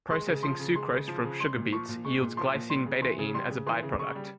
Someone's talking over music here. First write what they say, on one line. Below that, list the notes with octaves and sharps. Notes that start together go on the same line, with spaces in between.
Processing sucrose from sugar beets yields glycine betaine as a byproduct.
G#3 C6
C#3
F3 C6
C#3
G#3 C6
C#3
F3
C#3
G#3 C6
A#2
F3 C#6
A#2
G#3 C#6
A#2
F3 C6
A#2
G3 C6
C#3
E3 C6
C#3
G3 C6
C#3
E3 C6
C#3
C#3 C#6
G3